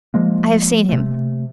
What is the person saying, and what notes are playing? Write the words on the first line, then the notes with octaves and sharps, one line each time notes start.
"I have seen him."
F3 G#3 A#3
C3 A3